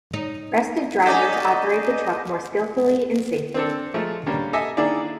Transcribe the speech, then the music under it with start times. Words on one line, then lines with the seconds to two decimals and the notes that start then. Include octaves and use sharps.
Rested drivers operate the truck more skillfully and safely.
0.13 D#4
1.06 C#4 D4 A4 D#5 D6 G6 B6
3.54 C4 D4 A4
3.94 F3 G#3 A3 A#4
4.26 G3 A#3 C#4 D4
4.53 A4 D#5 E5 G#5
4.77 D#3 A#3 D4 E4 G#4 D5